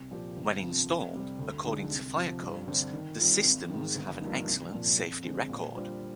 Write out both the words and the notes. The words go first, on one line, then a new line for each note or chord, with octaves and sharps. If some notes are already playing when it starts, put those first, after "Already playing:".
When installed according to fire codes the systems have an excellent safety record.
Already playing: C2
A#2 F3 C4 G4
G1
F2 C3 F3
F2
C3 G3 C4
D2
D3 G#3 D#4
C2
C3 F3 C4
G2
D3 G3 C4
D#3
G3 C4 F4
G#1
G#2 D#3
G1
G2 F3 A#3 D#4
C2
A#2 F3
F2
D3 G#3 C4
A#2
G3 D4 F4 C5